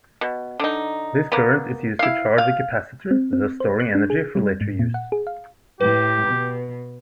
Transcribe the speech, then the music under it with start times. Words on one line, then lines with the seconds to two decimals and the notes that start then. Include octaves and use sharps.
This current is used to charge a capacitor, thus storing energy for later use.
0.21 B2
0.60 D3 D#4
1.32 A#3 B3
1.99 E4 F5
2.38 F5
3.11 C4
3.33 C4
3.60 C5
3.80 F#6
3.95 D4
4.10 G#4
4.35 G3
4.61 G#2
4.79 A#2
4.94 F#5
5.12 G#4
5.27 F5
5.81 A2 G4 B4
6.27 B2